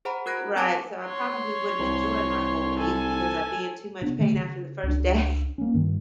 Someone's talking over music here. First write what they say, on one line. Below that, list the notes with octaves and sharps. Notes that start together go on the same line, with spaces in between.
Right. So, I probably wouldn't enjoy my whole week because I'd be in too much pain after the first day.
G#4 C5 F#5 A#5 B5
F#4 A#4 F#6 G#6 A#6 D7
C4 G#5 A5 D6 D7
C#5 C6
C2
A4 G#5
C3 B3 D4
D3 D#3 A3
C#3
C#2 D4
A#3 C#4
G2 D#3